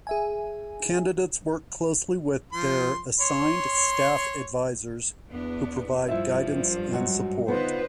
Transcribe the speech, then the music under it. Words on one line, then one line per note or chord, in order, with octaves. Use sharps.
Candidates work closely with their assigned staff advisors, who provide guidance and support.
G#4 E5 G#5
F3 C6
C#5 C6
E2 B3 D4
G2 F3 E4 E5
G#2 F#3 F#4
D3 B3 D#4 F4 B4 C5